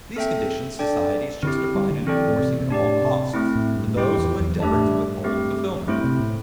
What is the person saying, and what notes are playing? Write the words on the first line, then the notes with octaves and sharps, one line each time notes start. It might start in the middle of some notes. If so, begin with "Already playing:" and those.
These conditions society is justified in enforcing, at all costs to those who endeavour to withhold fulfilment.
C4 A4 E5 G5
D4 A4 D5 G5
D3 C4 E4 G4
G3
D3
G3
E3 C4 A4 D5 G5
A2
C3
C3
A2 D4 G4 D5
C3
A3 C4 E4
A2
G2
A2
G2 E4 G4 C5 G5
E2
E2
G2 A3 D4 G4 E5 A5
A2
G2
A3 C4 G4
G2 A3 C4 E4 C5
C3
A2